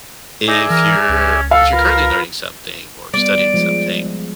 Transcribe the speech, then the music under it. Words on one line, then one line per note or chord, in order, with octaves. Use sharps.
if you're, if you're currently learning something or studying something,
D#4 G#4 D5 E5
E3 A#4
C#2 C#4
A4 F5
F4 A#4 B4
G3 B3 D5 D7
F3 G#3